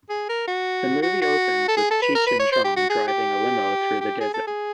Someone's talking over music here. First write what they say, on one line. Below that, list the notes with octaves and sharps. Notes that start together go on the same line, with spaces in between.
The movie opens with Cheech and Chong driving a limo through the desert.
G#4
A#4
F#4
F#4
F#4
A4
G#4
A4
B4
A#4
B4
C#5
C5
G4
F#4
G#4
G4
G4
G#4
A4
G#4